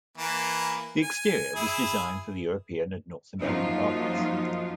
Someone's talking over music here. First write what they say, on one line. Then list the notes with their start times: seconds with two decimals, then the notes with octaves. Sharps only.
The exterior was designed for the European and North American markets.
0.18 E3 A#3
1.02 G#5
1.56 E4 G#4
3.40 F#2 F3 F#3 A#3 D#4 F4